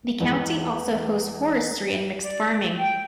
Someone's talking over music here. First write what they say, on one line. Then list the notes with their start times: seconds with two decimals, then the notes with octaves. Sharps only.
The county also hosts forestry and mixed farming.
0.20 E2 E3 G#3
2.22 D5
2.78 G5